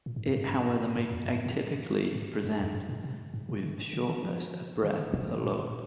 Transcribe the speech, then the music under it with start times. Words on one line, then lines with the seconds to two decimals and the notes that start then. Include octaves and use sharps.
It however may atypically present with shortness of breath alone.
0.06 A#2
0.16 G#2
0.26 G2
0.36 G#2
0.96 G#2
1.11 F2
1.25 G2
1.35 G#2
1.46 A#2
2.15 G#2
2.44 G2
2.59 F2
2.74 G2
2.89 A#2
3.04 C3
3.34 G#2
3.49 C3
3.64 D3
3.93 D3
4.08 D#3
4.23 F3
4.82 D#3
4.97 D3
5.12 C3
5.42 A#2